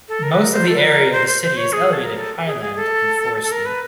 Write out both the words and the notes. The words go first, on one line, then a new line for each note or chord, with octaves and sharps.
Most of the area of the city is elevated highland and forested.
A4
A#4
B4
A#4
C5
A4
B4
A#4
C5
C5
C5
C#5
G#4
A4
A#4
A4
G#4
G#4
A4
A4
A#4
B4